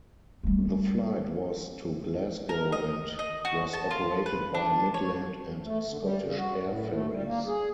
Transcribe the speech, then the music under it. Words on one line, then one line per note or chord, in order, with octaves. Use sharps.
The flight was to Glasgow and was operated by Midland and Scottish Air Ferries.
G3 A3
A#4
D#5
D#5
F#4
A5
F4
B4
D4
C#5
A3
D3
G3
C#3
F#4
A2
A3
G3
A#3
G#4